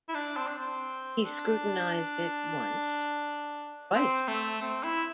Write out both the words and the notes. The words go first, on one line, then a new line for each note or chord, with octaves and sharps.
He scrutinised it once, twice.
E4
D4
C4
D4
C4
D4
C4
A3
C4
E4